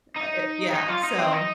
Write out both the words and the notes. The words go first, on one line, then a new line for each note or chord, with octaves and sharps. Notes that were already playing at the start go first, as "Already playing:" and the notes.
Uh, uh, yeah, so,
D#4
D#4
F4
D#4
C4
D#4